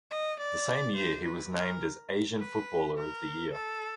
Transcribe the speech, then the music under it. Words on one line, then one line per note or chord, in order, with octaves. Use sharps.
The same year he was named as Asian Footballer of the Year.
D#5
D5
C5
B4
A#4
B4
A#4
A4